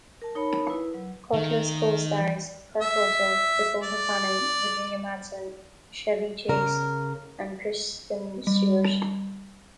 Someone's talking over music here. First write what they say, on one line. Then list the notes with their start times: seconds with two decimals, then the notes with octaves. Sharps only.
"Cutlass" co-stars Kurt Russell, Dakota Fanning, Virginia Madsen, Chevy Chase and Kristen Stewart.
0.22 A#4 A5
0.35 D#4 A#4 C#5 A5 B5
0.68 E4 B4
0.94 F#3
1.33 D#3
2.81 E5
3.83 D5
6.49 C#3 A#4
8.47 G3